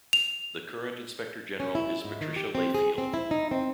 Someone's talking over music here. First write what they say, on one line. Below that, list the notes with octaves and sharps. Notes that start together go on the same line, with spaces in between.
The current Inspector General is Patricia Layfield.
F7
C#4
E4
G#2
D#3
G4
C4
G#4
C4
E4
D#4
C4